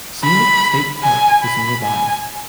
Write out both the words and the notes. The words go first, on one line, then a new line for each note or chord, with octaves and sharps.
Scenic State Park is nearby.
B5
G#5
B5
G#5